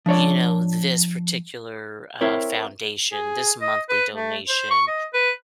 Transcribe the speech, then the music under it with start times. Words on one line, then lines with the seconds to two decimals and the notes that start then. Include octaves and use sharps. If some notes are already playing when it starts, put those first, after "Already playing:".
you know, this particular, uh, foundation, this monthly donation,
0.06 F3 D4 C#5 D5
2.21 C4 E4 A#4 C#5
3.12 G#4
3.61 D#5
3.89 B4
4.13 A3
4.49 C5
4.71 C#6
4.87 D#5
5.14 B4